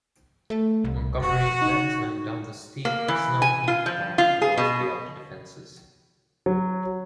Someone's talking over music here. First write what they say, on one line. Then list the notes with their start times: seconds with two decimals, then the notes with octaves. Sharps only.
Montgomery led his men down the steep, snow-heaped path towards the outer defenses.
0.50 A3
0.84 C2
1.22 F1 F#4
1.62 D#4
2.85 A#3
3.08 E3
3.42 G#5
3.68 F4
3.86 F3
4.18 F4
4.42 G#4
4.58 B2
6.46 F#3